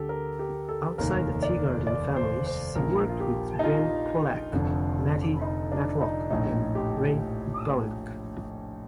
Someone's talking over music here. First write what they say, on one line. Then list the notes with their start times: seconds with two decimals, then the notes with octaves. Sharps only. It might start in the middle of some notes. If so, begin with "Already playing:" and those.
Outside the Teagarden family, she worked with Ben Pollack, Matty Matlock, and Ray Bauduc.
Already playing: D2 D3 G4 A4
0.09 A#4
0.39 G4
0.69 A4
0.98 F1 D#2 D#3 A#4
1.42 D5
1.87 D5
2.16 C5
2.46 C5
2.76 A#1 A#2 A#4
3.09 F4
3.20 G4
3.59 D#4
3.64 F4
4.52 F1 F2 D3
5.42 D#4
5.72 D4
6.01 D#4
6.30 A#1 A2 D#4
6.75 G4